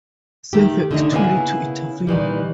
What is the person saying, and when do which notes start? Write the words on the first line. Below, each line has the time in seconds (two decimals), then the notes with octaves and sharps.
Xavier is too late to intervene.
0.53 D#3 A3 G4
0.91 D3 D#3 A3 C#4 D#4
1.12 C#3 F#3 A#3 B3 E4 G#5
2.07 A#2 D#3 E3 G3